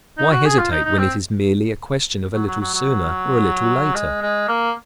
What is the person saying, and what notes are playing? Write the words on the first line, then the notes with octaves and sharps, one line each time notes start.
Why hesitate when it is merely a question of a little sooner or a little later?
D#4
F#4
G#4
F4
D#4
D#4
C4
F#3
F#3
F#3
F#3
G#3
G#3
A#3